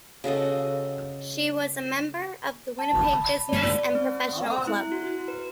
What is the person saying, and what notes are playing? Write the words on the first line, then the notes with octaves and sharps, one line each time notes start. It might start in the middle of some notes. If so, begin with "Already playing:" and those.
She was a member of the Winnipeg Business and Professional Club.
C#3 F#4 A4 D#5
A5
B5
D5
C4
E4
F#4
B4